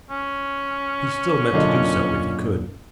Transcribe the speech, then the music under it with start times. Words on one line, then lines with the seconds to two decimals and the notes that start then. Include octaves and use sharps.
He still meant to do so, if he could.
0.10 C#4
1.53 B1 F#2 A#2 D3 D#4 F4